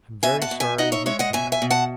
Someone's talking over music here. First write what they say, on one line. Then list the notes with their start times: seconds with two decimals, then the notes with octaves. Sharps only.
"I am very sorry you can't."
0.23 B2 E5 G#5
0.42 F#5 A5
0.51 B2
0.60 E5 G#5
0.78 D#4 D#5 F#5
0.92 C#5 E5
1.06 G#3 C#5 E5
1.19 D#5 F#5
1.33 B2 E5 G#5
1.52 E5 G#5
1.62 B2
1.71 F#5 A5